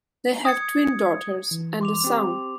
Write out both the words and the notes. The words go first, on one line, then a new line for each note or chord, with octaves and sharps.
They have twin daughters, and a son.
D#6 G#6 C#7
E3
C6 D6 F7
C4 G4